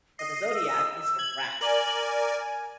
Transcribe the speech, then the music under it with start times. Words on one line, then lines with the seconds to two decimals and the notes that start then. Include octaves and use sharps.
for the zodiac is the rat.
0.19 D#5 C7
0.53 E6
1.19 G#6 F#7
1.61 A#4 D5 G#5
2.39 G#5